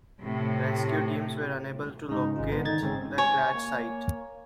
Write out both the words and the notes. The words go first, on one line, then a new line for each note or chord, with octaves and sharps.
Rescue teams were unable to locate the crash site.
A2 C3
G#2 C#3 D#4
G#1 C3 G#3 F4
D3 B3
D#3 D#4 G#6 A6
G#2 C#3 C4 C#4
C#5 G#5
A#3